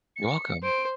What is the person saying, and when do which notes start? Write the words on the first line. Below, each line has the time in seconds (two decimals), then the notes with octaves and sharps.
You're welcome.
0.16 C#7
0.63 C5 D7